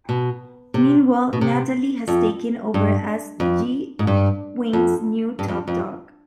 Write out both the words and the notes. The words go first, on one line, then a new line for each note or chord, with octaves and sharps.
Meanwhile, Natalie has taken over as G-Wing's new Top Dog.
B2
C3
B2
C3
F2
G2
F2
G#2
G2
F2
G2
F2
F2